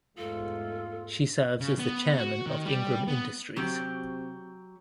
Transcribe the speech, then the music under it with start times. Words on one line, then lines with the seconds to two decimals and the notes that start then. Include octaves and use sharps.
She serves as the chairman of Ingram Industries.
0.17 E2 G#2 A3 F4 A4
1.60 C#3
1.79 B3
2.18 F#4
2.47 D#3
2.66 G3
3.08 B3
3.56 C3 F#3 F#4 G4